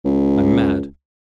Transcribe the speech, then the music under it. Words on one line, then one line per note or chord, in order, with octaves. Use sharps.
I'm mad.
C#2